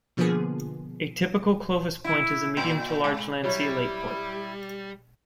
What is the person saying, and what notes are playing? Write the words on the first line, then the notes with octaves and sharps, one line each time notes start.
A typical Clovis point is a medium to large lanceolate point.
B2 D3 F3 A#3 B3 G#4
E4
A#2
G#2
F#3 G3 E4 G4 C#5